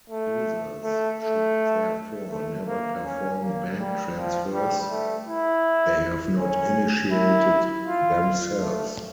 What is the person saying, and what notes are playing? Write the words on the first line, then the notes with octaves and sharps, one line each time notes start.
Users should therefore never perform bank transfers they have not initiated themselves.
A3
A3
A3
A3
A#3
C#4
A#3
G3
F3
G3
A3
E4
C#4
E4
F4
A3